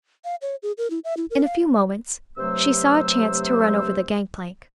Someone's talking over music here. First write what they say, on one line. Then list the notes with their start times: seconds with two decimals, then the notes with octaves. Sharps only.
In a few moments she saw a chance to run over the gangplank.
0.24 F5
0.42 C#5
0.63 G#4
0.78 A#4
0.90 E4
1.04 E5
1.17 E4
1.31 A#4
1.44 F5
2.38 G2 C3 F#3 A3 C5 E6